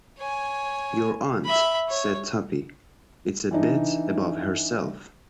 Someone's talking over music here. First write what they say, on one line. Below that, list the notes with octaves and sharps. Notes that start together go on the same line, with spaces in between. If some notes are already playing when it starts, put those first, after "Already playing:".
Your aunt," said Tuppy, "is a bit above herself.
C#5 G#5
E5 B5
C#5
E3 D4 D#4